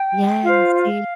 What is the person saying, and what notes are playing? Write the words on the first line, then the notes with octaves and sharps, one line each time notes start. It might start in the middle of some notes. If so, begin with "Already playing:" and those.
Yes, see, uh,
Already playing: G5
F4 C5 F5
F5